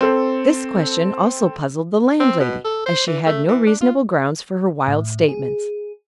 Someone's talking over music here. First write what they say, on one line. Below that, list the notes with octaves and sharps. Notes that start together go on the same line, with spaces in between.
This question also puzzled the landlady, as she had no reasonable grounds for her wild statements.
C4 A4 C5
C4
B2
A4
C5
E3
A3
E3
D4
F4
A2
G#4